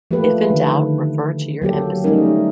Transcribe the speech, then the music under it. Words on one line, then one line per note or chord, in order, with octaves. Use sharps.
If in doubt, refer to your Embassy.
F3 A3 A#3 G4 B4
D3 D#3
F#3 A#3 G4 A4
G3 A3 C#4 D#4 A#4